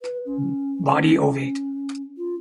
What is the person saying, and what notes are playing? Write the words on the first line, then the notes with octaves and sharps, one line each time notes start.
Body ovate.
B4
C#4
F4